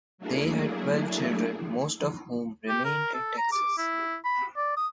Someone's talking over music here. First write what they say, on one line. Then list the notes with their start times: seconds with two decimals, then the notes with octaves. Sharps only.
They had twelve children, most of whom remained in Texas.
0.18 F#3 A3 A#3 D4 E4 G#4
2.68 G4
2.85 A#4
3.14 A4
3.38 A#5
3.52 D6
3.78 E4
4.25 B5
4.57 D5
4.77 D#6